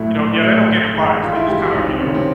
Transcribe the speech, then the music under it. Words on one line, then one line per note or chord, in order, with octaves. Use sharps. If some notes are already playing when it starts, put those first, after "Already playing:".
you know yeah, they don't get in fights, they just kinda, you know,
Already playing: A#1 A2 F#3 A3 E4
A#1
A2 F#3 A3
G1
G2 E3 G#3
G1 F4
E4
G2 E3 G#3 G4
F#4
C#2 D#4
C4
C3 D#3 C#4
C4